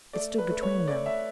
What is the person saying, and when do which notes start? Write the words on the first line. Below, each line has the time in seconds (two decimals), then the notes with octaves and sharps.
It stood between them.
0.13 A3 D5
0.38 B4
0.51 A3
0.63 C#5
0.88 A3 D5
1.06 E5